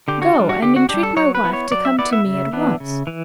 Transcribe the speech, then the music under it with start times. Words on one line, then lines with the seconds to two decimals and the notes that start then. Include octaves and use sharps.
"Go and entreat my wife to come to me at once."
0.08 D3 G4
0.22 F#4
0.35 G3 D4
0.49 F#4
0.62 D3 G4
0.76 F#4
0.89 G3 D4 G4
1.03 A4
1.16 F#3 C#5
1.35 B4
1.44 B3 E4
1.53 C#5
1.72 F#3 D5
1.85 E5
1.99 B3 E4 D5
2.13 E5
2.26 C#3
2.53 E3 B3 D4
2.80 C#3
3.07 E3